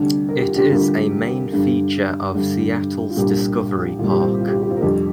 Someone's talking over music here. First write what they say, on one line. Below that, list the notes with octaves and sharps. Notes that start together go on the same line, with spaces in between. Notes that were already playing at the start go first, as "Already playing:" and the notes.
It is a main feature of Seattle's Discovery Park.
Already playing: D2 C3 G3 D4
A#4
G4
F4
D4 G4
D2 C3 G3 F4 A#4
G2 D3 G3
G2 D3 G3
F4
C2 A#2 G3 D4 G4
C2 A#2 G3 F4
G4
C4 F4
F4
G4
F4
G4
C4 F4
A#4
F2 C3 G3 D4 G4